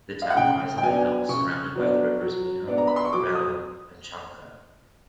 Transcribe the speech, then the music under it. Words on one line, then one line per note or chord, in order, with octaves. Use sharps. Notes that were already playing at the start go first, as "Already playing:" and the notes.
The town lies on a hill surrounded by the rivers Minho, Rato and Chanca.
F5
F#5
C#3 G5
G5
F#3 B3 D4 G#5
C#3 C#6
F#3 B3 D4
F#3
B3 D4
A#5
B5
C6
C#6
F#3 D6
D#6